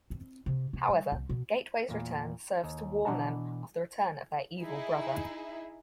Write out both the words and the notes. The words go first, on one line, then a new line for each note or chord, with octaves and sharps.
However, Gateway's return serves to warn them of the return of their evil brother.
C4
C3
C3
G3
C2
B2
E2 A#2
D#2
B2 E3 D4 F#5 A5 A#5
D#4 E4 G#4 E5